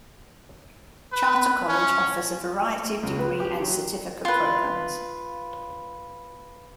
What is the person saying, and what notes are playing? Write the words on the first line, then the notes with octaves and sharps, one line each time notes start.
Charter College offers a variety of degree and certificate programs.
B4
C#4
C#2
B4
G4
F#3
F4 B4